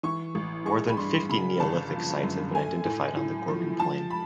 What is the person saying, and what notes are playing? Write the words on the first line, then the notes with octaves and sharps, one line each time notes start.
More than fifty Neolithic sites have been identified on the Gorgan Plain.
E3 C#6
A1
G#3 C#6
B5
G2 C6
C#3 B5
G1 A5
F3
F#2
A3 G#5
A2
A2
F3
F3 A5
B5